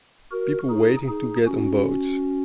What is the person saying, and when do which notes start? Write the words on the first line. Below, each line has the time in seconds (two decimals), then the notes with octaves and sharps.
People waiting to get on boats.
0.31 F#4 A#4
0.70 D#4 G#4
1.08 D#4 G#4
1.47 C#4 F#4